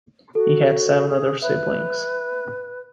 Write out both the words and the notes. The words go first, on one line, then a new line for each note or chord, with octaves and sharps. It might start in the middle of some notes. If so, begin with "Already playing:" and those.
He had seven other siblings.
F#4 A4
G#4
B4 E5